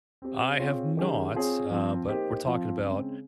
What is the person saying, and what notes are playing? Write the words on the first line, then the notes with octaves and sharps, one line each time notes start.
I have not, uh, but we're talking about
C4 G4 C5
C4 F4 G#4 C#5
D#3 G#3 C#4 G4 A#4
C4 F4 G#4 C#5
F3 C4 F4
A#3 D#4 G4 C5
F3 C4 F4
C#3 G#3 C4